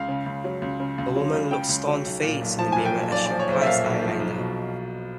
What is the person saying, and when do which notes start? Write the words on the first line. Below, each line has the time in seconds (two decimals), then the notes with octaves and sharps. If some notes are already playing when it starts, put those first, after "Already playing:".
A woman looks stonefaced in the mirror as she applies eyeliner.
Already playing: C#2 F5
0.08 C#3
0.26 C#2
0.44 F#3
0.62 C#2
0.80 C#3
0.98 C#2
1.16 F#3
1.34 C#2
1.51 C#3 G5
1.69 C#2
1.87 F#3
2.05 B1
2.23 A#2
2.41 B1
2.59 F3 A5
2.72 B1 G#5
2.85 G5
2.95 A#2
3.12 B1 D5
3.26 F3 D5
3.39 C#5
3.48 B1 C5
3.61 E5
3.66 A#2 F5
3.84 B1
4.02 F3
4.20 B1
4.38 B2